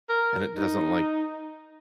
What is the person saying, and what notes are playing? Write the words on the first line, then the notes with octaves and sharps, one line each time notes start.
And it doesn't, like,
A#4
D#4